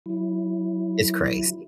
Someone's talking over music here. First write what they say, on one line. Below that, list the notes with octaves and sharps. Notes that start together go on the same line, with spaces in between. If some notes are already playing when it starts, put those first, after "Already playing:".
it's crazy.
F#3 E4